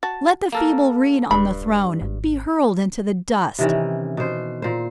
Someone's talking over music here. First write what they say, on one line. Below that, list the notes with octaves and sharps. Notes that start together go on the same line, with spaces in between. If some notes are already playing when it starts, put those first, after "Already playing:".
Let the feeble reed on the throne be hurled into the dust!
F#4 A5
A#3 A4 A#4
D#1 G2 B5
G#1
C3 D#3 E3 C#4
B2 C5
A#2 C5